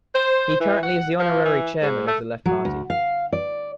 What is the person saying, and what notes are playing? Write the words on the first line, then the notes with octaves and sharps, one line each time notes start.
He currently is the honorary Chairman of the Left Party.
C5
E3
F#5
F3
E3
G#2
A3
F#3
D2
F5
D5